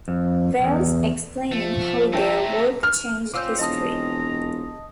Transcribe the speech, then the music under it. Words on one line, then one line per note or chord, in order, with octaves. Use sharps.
Wells, explaining how their work changed history.
F2
E2
F3 A3
C3 A3 D4 G4 C#5 E5 A#5
F6
C4 C#4 F4 D6 E6 G6
E1 D#5 A5 A#5 D#6